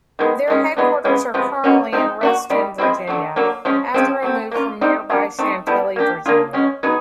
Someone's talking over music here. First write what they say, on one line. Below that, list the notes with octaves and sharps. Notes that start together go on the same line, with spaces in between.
Their headquarters are currently in Reston, Virginia after a move from nearby Chantilly, Virginia.
D#3 G#3 B3
D#3 G#3 C#4
E3 G#3 B3 D4
C#3 E3 G#3 B3
C3 F3 G#3 B3
B2 F#3 A#3 C#4
F3 G#3 C4 D#4
A#3 D4 F#4
C3 D#3 G3
F3 G#3 C4 E4
D3 F#3 A3
D3 F#3 A#3
F3 G#3 C#4
C#3 F3 G#3 C4
F#3 A3 C4
A#3 C#4 F4
G3 C4 D#4 G4
F#3 A#3 D4
A3 C4 D#4
G3 B3 E4 A4
A#3 D4 G4
A#3 D4 F4 G#4
B2 G#3 C#4
F#3 B3 D#4 G#4